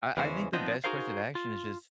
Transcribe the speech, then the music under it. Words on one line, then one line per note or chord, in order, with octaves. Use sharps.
I I think the best course of action is just
E2 C#3 E3 G#3 C#4 C5
F3 B3 C4 D4 D#4 D#5
D#4 F#4 G#4 A#4 C5 F5
F4